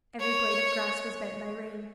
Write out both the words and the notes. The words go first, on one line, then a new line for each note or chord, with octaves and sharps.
Every blade of grass was bent by rain.
C#5